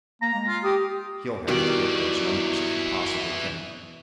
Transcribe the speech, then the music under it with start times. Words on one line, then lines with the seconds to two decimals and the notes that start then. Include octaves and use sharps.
He'll have to get those numbers if he possibly can.
0.22 A#3 A#5
0.34 G#3
0.48 F4
0.64 G4 D#6
1.48 B2 D#3 E3 G3 E4 F#4 D5